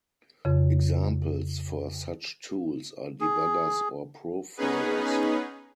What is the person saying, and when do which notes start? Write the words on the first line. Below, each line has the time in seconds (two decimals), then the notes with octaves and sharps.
Examples for such tools are debuggers or profilers.
0.45 F2 C#3
3.21 G#4
4.57 B3 C#4 D#4 G#4 B4